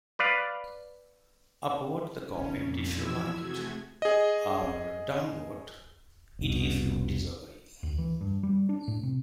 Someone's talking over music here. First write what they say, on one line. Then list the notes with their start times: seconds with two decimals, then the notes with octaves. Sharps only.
Upvote the comment if you like it, or downvote it if you disagree.
0.19 B4 D5 F5
2.23 C#3 C#4
2.55 F2 A#2
2.89 E3 F3 E4 E6 G#6
3.36 C3 A3 F#4 G#4 G#6
4.02 G#4 D#5
6.39 F1 C2 B2
7.83 D2
7.98 E3
8.21 G2
8.43 G3
8.69 D4
8.88 A2
9.03 C3